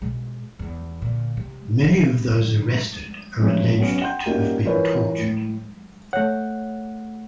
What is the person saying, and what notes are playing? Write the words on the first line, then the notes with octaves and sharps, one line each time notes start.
Many of those arrested are alleged to have been tortured.
B2 G#3
E2
A#2 D3
C3
B2
G2 D3
A1 F2 G#2
B1 B3 C#4
F#5 G5 C6 G6
G3 A#3 C#4 D#4 F4 F#4
E3 F4 A#4 B4 C#5
A2
A3 C#5 E5 F#5